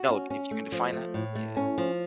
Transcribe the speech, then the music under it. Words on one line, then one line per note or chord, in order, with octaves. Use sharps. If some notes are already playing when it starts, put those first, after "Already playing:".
No, if you can define that Yeah.
Already playing: F#4
C#4
C#4
A3
F3
A3
A2
A3
C#4
F3